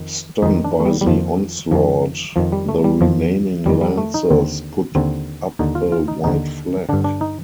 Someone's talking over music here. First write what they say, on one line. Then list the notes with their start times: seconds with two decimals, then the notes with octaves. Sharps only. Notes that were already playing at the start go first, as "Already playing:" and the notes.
Stunned by the onslaught, the remaining Lancers put up a white flag.
Already playing: F2 D#3
0.42 F2 D#3 D#4
0.65 D4
0.80 A3
0.85 G3
1.01 G3
1.07 F2 D#3 F3
1.71 F2 D#3 F3
2.36 F2 D#3 F3
2.52 G3
2.69 A3
2.84 G3
3.01 F2 D#3 F3
3.66 F2 D#3 G3
3.81 G3
3.98 A3
4.14 D#4
4.30 D#2 D3 C4
4.95 D#2 D3 C4
5.59 D#2 D3 D#4
5.75 F4
5.92 F4
6.08 D#4
6.24 D#2 D3 D#4
6.89 G2 D3 D4
7.04 D4
7.21 D#4